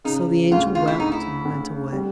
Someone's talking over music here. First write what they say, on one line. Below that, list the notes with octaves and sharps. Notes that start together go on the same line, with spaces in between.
So the angel wept and went away.
C#3 D#4
D2 F4
F4
E4
D2 D#4
E4
D2
G3